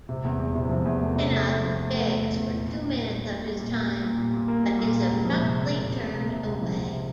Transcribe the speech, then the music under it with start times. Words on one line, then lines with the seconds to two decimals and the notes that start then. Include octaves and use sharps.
Pinnock begs for two minutes of his time, but is abruptly turned away.
0.09 C3
0.25 E2
0.40 E2
0.55 C3
0.69 F3
0.85 E2
1.00 A3
1.16 C3
1.30 A3
1.46 A3
1.60 F3
1.75 A3
1.90 A3
2.06 E2
2.22 E2
2.36 E2
2.52 A#2
2.66 A#2
2.82 A#2
2.98 G3
3.12 A#3
3.28 A#2
3.42 G3
3.57 A#2
3.73 A#3
3.88 G3
4.03 A#2
4.18 A#2
4.34 A#2
4.48 A#3
4.64 G3
4.79 A#2
4.94 A#3
5.09 C#2
5.25 F3
5.40 C3
5.55 C#2
5.70 A#3
5.85 C3
6.00 C3
6.15 A#3
6.30 C3
6.46 C#2
6.61 F3
6.77 F3
6.92 C3